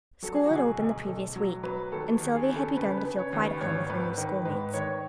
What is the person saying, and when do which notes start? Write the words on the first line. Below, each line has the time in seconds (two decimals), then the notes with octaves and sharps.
School had opened the previous week, and Sylvia had begun to feel quite at home with her new schoolmates.
0.22 F#3 A4
0.34 G#4
0.45 F#4
0.50 B1
0.56 G#4
0.79 B1
1.07 B1 A4
1.36 F#3
1.63 F#3 B4
1.92 D#2 A4
2.21 D#2
2.35 G#4
2.49 C#3
2.56 A4
2.77 C#3 B4
2.97 B4
3.05 C#3
3.19 C#5
3.33 D#2
3.40 B4
3.61 G#1 C#5
3.90 G#1 B4
4.17 D#3 B4
4.45 G#2 B4
4.73 D#3 C#5